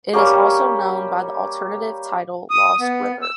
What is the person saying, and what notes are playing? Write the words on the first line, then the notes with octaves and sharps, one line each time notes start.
It is also known by the alternative title Lost River.
G3 A#3 C#4 G4
D#6
B3
E6